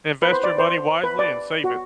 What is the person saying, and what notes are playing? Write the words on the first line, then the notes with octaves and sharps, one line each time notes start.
invest your money wisely and save it.
B4
C5
D5
C5
B4
D5
F#4